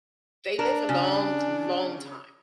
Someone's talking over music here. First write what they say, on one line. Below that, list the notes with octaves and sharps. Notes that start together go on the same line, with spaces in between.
They live a long, long time.
D4 A#4
C#3